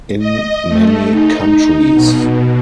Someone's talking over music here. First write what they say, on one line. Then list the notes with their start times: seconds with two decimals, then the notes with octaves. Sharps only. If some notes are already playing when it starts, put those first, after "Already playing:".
In many countries.
0.19 D#5
0.68 A3
1.10 D#4
1.95 B2